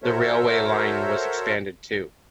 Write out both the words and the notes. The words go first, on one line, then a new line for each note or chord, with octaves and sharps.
The railway line was expanded, too.
F#4 A4 A#4 C5 C#5 E5